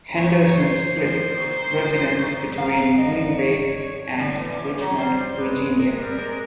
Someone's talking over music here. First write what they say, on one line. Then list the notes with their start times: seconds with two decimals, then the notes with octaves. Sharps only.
Henderson splits residence between Green Bay and Richmond, Virginia.
0.17 A#2 C#5
0.46 C#5
0.57 C5
0.97 A2
1.37 A#2
1.78 A2
2.18 A#2
2.57 C3 F5
2.98 D3 D#5
3.38 C#5
3.77 C#5
4.11 D#5
4.18 D3 D5
4.38 E3
4.58 E3 C#5
4.78 F#3
4.98 G3 C5
5.38 G#3 B4
5.79 G#3 A#4
5.99 G3
6.18 G#3 A#4